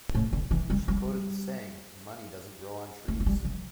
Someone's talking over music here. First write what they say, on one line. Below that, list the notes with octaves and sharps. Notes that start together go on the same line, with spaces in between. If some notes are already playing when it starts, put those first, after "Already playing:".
She quoted the saying: money doesn't grow on trees.
A2
D3
E3
G3
G3
A3
A3
G3
E3